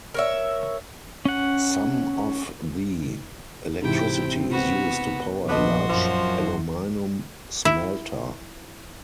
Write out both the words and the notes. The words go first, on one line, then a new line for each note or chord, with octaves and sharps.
Some of the electricity is used to power a large aluminum smelter.
A#4 C#5 E5
C#4 F#5
G#2 C3 E3 C4 E4 G5
B3 F#4
A#1 F2 B3 F#4 D#5 A5 C6 D6
F#2 F3
E4